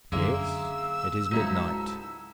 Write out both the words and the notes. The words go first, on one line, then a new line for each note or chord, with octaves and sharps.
"Yes, it is midnight."
F#2 D3 G#3 A#3 E5 E6
C#2 G#2 F#3 D#4 E4 A4